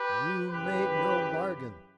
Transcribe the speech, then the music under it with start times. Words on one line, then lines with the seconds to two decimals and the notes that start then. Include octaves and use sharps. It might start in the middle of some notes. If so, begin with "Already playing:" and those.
"You made no bargain."
Already playing: G4 B4
0.50 F#2 C#3 E3 G4 B4